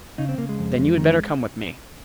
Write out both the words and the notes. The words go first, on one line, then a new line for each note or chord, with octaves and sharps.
"Then you had better come with me."
C#3 D#4
C4
C#3 A#3
G#3
F2
F2
D#3